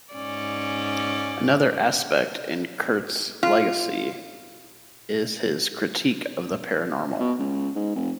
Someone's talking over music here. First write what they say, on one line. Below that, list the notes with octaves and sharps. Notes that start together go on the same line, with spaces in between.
Another aspect in Kurtz's legacy is his critique of the paranormal.
G#2 C#4 D5
F4
B2
C#2
G#2
F1